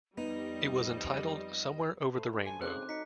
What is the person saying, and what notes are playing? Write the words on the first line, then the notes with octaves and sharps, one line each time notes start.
It was entitled "Somewhere Over the Rainbow".
F2 G3 B3 D#4 D#5
A3 B4 C5
D4 A5
G#5
C#3 F#3 C4 D#4 C#6 D6 F#6
F#3 D#4 B6 C#7